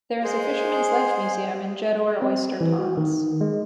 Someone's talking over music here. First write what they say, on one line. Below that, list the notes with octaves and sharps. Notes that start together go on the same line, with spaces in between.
There is a Fisherman's Life Museum in Jeddore Oyster Ponds.
G#3 G#4 C5
C4
E3
F#4
D#3
G#3